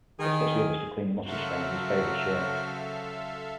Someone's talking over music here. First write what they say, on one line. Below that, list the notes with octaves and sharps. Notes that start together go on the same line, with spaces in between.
Chris gets the others to clean the mustard stain off his favorite shirt.
D#3 G#4
C#3 F#3 F#4 A4 A#4 C5 E5 F5